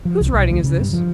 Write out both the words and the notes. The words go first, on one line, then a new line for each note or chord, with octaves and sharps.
'Whose writing is this?'
F3
C2
B1
D2
C#3
G2
F3